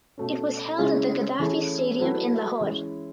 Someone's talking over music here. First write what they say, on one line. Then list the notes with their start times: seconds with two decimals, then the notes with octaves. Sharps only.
It was held at the Gaddafi Stadium in Lahore.
0.18 B2 A3 C#4
0.78 C#3 G#3 C#4 E4 G#4
1.39 E3 A3 C#4 E4 G#4
2.00 F#3 A3 E4 B4
2.60 E3 G#3 C#4 E4